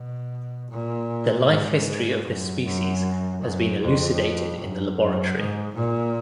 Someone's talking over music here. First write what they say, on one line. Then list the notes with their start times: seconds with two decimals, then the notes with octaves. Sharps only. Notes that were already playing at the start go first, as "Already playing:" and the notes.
The life history of this species has been elucidated in the laboratory.
Already playing: B2
0.70 A#2
1.47 G#2
2.25 F#2
2.64 F#2
3.41 F#2
3.80 F2
4.58 F#2
4.97 F#2
5.36 G#2
5.74 A#2